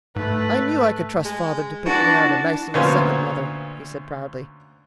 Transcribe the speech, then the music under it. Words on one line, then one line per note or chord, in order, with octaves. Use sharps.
"I knew I could trust father to pick me out a nice little second mother," he said proudly.
G#2 A3 B4
G#3
E3 D4 F#4 A5
D2 A#2 B3 C#4 C5 F5